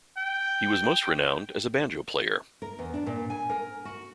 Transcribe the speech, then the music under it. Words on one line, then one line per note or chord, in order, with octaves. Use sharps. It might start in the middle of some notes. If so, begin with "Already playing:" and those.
He was most renowned as a banjo player.
G5
A#4
E2
D4
A#2
G#5
A#4
F#4